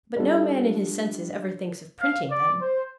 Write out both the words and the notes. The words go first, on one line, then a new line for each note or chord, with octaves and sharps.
But no man in his senses ever thinks of printing them.
G3 D4 F4 A4
F5
D5
C5